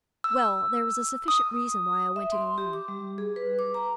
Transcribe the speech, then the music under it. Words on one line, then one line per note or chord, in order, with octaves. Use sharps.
"Well, there was a sufficient reason why I went in alone."
E6
D#6
E5
C6
G4
D6
G3
G#4
B4
D6
A#5